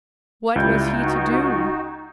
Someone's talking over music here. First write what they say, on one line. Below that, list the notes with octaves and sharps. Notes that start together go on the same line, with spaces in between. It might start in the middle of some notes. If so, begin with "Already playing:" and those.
What was he to do?
C#2 G3 E4 G6
D#4 F#4